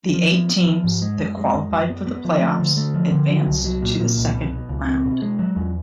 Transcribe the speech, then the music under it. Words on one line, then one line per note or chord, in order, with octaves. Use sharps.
The eight teams that qualified for the playoffs advanced to the second round.
F3
B3
B3
F3
G#2
G#3
F#2
G#3
F#2
F#2
B3
B3
F3
A3
D3
A3
F3
D3
F#3
C2
F#3
A#2
A#2
C2
B2
B2
C#2
C4
B2
G#3
F#3
E2